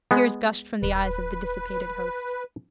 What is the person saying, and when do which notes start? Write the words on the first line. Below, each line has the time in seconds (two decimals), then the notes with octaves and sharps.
Tears gushed from the eyes of the dissipated host.
0.11 G#3 B3
0.82 D#1 B4